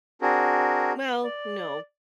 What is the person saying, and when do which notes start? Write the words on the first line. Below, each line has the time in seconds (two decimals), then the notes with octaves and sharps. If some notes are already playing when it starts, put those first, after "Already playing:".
Well, no.
0.22 C4 D4 F#4 G#4 A#4
1.24 D5